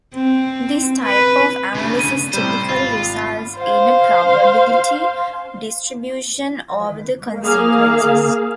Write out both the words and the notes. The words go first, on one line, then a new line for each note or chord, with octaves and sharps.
This type of analysis typically results in a probability distribution over the consequences.
C4
B4
C#3 A3 D4
D#7
A2 C3 G3 C5 B5
G#1 F4
C5 F5
A#3 G#4 F5